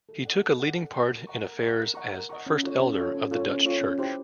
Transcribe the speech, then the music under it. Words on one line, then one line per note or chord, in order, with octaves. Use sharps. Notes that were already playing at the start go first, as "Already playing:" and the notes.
He took a leading part in affairs as 'first elder' of the Dutch church.
A4
D5 F#5
A4
D5 F#5
A4
D5 F#5
A#4
D#5 F#5 A#5 C#6
A#4
D#5 F#5 A#5 C#6
A#4
D#5 F#5 A#5 C#6
A#4
D#5 F#5 A#5 C#6
C#4
F4 A4 C#5
C#4
F4 A4 C#5
C#4
F4 A4 C#5
C#4
F4 A4 C#5
C#4
E4 G4 C5